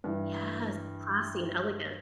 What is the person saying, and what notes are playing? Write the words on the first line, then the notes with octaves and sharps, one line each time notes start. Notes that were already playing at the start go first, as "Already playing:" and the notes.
Yes, it's classy and elegant.
G2 E3